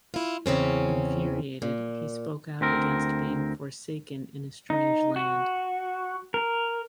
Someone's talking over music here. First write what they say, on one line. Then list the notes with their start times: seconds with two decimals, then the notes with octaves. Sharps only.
Infuriated, he spoke out against being "forsaken" in a "strange land".
0.14 E4 F4
0.46 E2 C#3 C4 C#4
1.62 A#2
2.61 D2 C4 A#4
4.70 D#4
5.16 F#4
6.34 A#4